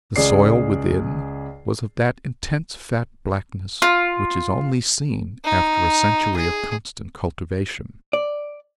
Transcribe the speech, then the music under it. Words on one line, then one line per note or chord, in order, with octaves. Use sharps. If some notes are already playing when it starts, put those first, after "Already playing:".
The soil within was of that intense fat blackness which is only seen after a century of constant cultivation.
C#2 G#4 D5 C7
F4
D#4
G#4
D5